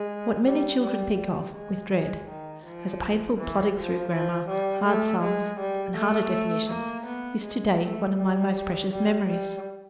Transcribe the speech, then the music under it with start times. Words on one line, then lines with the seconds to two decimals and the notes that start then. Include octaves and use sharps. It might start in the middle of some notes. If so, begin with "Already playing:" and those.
What many children think of with dread, as a painful plodding through grammar, hard sums and harder definitions, is to-day one of my most precious memories.
Already playing: G#3
0.45 G3
0.82 G3
1.18 G3
1.55 G#3
1.91 G#3
2.29 D#3
2.66 F3
3.39 E3
3.76 F3
4.13 F3
4.49 G3
4.86 A3
5.22 G#3
5.60 G3
5.96 A3
6.70 A#3
7.06 B3
7.43 G#3
7.80 A3
8.17 G3
8.90 G3
9.27 G3